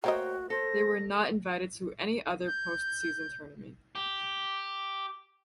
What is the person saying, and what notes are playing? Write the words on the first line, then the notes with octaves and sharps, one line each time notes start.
They were not invited to any other postseason tournament.
A3 A#3 F#4 C5 C#5 D#5 G5
A4 C5 A#6
G6
G4